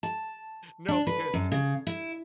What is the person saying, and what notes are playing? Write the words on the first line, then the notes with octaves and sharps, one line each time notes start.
"No, because
A5
D4
B4
F#2
C#3
E4